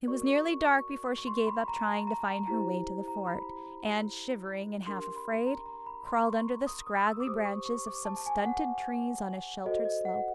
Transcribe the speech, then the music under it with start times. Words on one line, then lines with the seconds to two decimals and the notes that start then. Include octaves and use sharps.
It was nearly dark before she gave up trying to find her way to the fort, and, shivering and half afraid, crawled under the scraggly branches of some stunted trees on a sheltered slope.
0.07 F#4 A#4 D5 C#6
0.27 C#6
0.47 C#6
0.68 C#6
1.18 C#6
1.27 C6
1.47 B5
1.68 A#5
1.80 A#5
1.88 A5
2.07 A#5
2.28 A#5
2.47 E4 G4 C5 A#5
3.08 A#5
3.27 B5
4.87 D4 G4 A#4 C6
5.16 B5
5.47 A#5
5.66 A#5
5.86 B5
6.07 C6
6.27 C#6
6.67 D#6
6.87 D#6
7.06 E6
7.20 D6
7.26 G4 C5 D#6
7.45 C#6
7.66 C#6
7.86 D6
8.05 A5
8.17 A5
8.26 G#5
8.46 F#5
9.65 F#4 A4 C5 D#5
9.85 D#5
10.05 F#5